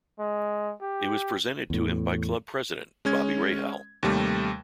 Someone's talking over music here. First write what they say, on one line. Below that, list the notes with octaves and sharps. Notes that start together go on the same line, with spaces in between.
It was presented to him by club president Bobby Rahal.
G#3
G4
E2 A2
G#3 C#4 G#6
D#2 C3 G3 A3